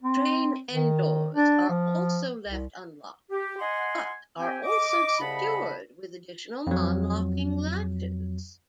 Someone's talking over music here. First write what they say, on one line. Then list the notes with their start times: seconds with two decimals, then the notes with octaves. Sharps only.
Train end-doors are also left unlocked, but are also secured with additional non-locking latches.
0.03 C4
0.72 D#3
1.34 D4
1.70 F3
2.47 C2
3.31 G4
3.60 D#5 F#5 G#5 C6
4.39 C4 G4 G5 G#5
4.64 D#5 D6
5.19 C2 C#3 D#5 F#5 A5 B5
6.67 F2 F#3